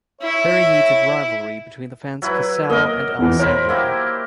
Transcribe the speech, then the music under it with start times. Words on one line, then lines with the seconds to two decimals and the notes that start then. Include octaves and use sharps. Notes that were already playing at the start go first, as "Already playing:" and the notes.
Very heated rivalry between the fans Casale and Alessandria.
0.22 E4 C#5 E5
2.22 F#3 E4 B4
2.70 A#3 A#4 D#5
3.19 E2 E3
3.39 A#4 C5 C#5 B5
3.69 A#3 E4 G4